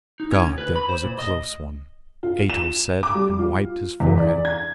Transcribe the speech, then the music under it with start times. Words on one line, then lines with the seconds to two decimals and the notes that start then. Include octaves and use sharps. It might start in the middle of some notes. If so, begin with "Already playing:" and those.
"God, that was a close one," Ato said, and wiped his forehead.
0.20 D#4
0.32 C#4
0.46 D2
0.58 B4
0.76 B5
0.89 C5
1.04 A#2
1.19 D#5
2.23 F4
2.50 E7
3.03 D6
3.15 G3
3.39 F4
4.00 E2
4.17 D5
4.45 G#6